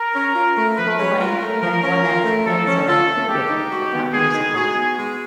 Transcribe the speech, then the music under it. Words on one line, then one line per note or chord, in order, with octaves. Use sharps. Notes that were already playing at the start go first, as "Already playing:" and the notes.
Full length and one act plays are included but not musicals.
Already playing: A#4
C#4
F4
A3
F3 B4
C#4
F4 A#4
A3
F3 A#4
C#4
F4
A3
F3 A4
C#4
F4 A4
A3
G#3 G4
D#4
F#4
B3
G#3 G#4
D#4
F#4 G#4
B3
G#3